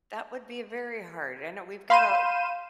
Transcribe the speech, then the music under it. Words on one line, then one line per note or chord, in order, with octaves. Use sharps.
that would be very hard. I know we've gotta
F5 B5 C6 G6 D#7 E7